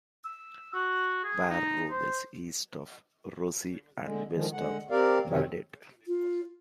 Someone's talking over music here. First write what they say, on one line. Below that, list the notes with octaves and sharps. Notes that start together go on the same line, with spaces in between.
Warroad is east of Roseau and west of Baudette.
E6
F#4
G#4
D#4
C5
D3 G#3
D3 D#3 F3 G#3
D3 G#3 F#5
C4 G4 A#4 D5 F5
F#2 C3 D#3 F#3 C4 C#4
F4